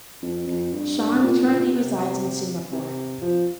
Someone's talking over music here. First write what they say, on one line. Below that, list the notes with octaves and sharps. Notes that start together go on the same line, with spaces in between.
Chan currently resides in Singapore.
F2
F2
G2
G2
C3
A#2
G2
A#2
C3
C3
F3